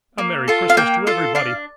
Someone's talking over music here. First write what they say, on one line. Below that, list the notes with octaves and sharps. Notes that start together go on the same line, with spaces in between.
A merry Christmas to everybody!
A#3
F4 A4
F5
A#3 G5
F4 A4
D4 F5